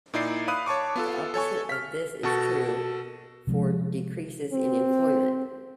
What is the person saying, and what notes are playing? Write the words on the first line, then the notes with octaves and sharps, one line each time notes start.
The opposite of this is true for decreases in employment.
A#2 D#4 E4 D5 C7
F5 B5 D#6 F#6 D#7
C#5 A5 C#6 D6
B3 F4 A4
A4 C#5 G#5 C#6
F6 B6
B2 F#4 A4 A5 C#6 A6
C3 F3 G#3
C4